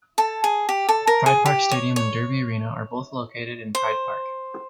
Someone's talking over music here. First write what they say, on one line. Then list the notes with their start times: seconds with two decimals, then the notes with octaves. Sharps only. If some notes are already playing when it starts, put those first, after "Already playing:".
Pride Park Stadium and Derby Arena are both located in Pride Park.
0.18 A4
0.44 G#4
0.69 G4
0.89 A4
1.07 A#4
1.26 G#4
1.46 G4
1.71 C#5
1.96 C#5
3.75 C5